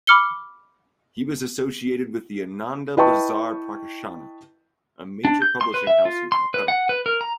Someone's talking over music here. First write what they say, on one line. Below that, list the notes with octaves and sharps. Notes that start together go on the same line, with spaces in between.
He was associated with the Ananda Bazar Prakashana, a major publishing house in Calcutta.
B5 D6 F6 C#7 G7
E4 B4 D#5 G5 A5 C#6
D4
G6
C6
B4
E5
F4
C6
B4
F#5
B4
A#4
A#5